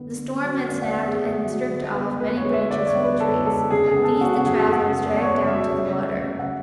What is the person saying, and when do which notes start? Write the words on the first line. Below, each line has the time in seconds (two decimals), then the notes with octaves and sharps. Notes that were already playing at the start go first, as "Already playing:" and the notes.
The storm had snapped and stripped off many branches from the trees. These the travellers dragged down to the water.
Already playing: D3 B3
0.18 D3
0.44 F#3
0.69 D3 D5
0.82 F#5
0.94 B3 E5
1.06 G#4
1.20 D3
1.45 F#3
1.69 D3
1.95 B3
2.20 D3 B4
2.37 C#5
2.45 G#3
2.53 E5
2.70 D3 D5
2.87 C#5
2.95 B3
3.04 B4
3.20 D3 A4
3.45 G#3 A4
3.71 C#3 G#4
3.88 G#4
3.96 B3
4.05 A4
4.21 C#3 F#4
4.35 F#4
4.46 F#3 G#4
4.60 A4
4.72 C#3 F#5
4.97 B3
5.06 D5
5.22 C#3 C#5
5.35 C#5
5.47 F#3 E5
5.60 E5
5.72 C#3
5.98 A3
6.22 C#3 E5
6.39 F#5